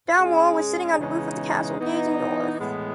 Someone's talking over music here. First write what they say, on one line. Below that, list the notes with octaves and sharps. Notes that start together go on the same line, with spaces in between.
Dalmor was sitting on the roof of the castle, gazing north.
G#3 C#4 G#4
C#3 E3 G#3 B3 D#4
E3 B3 D#4
A2 E3 G#3 B3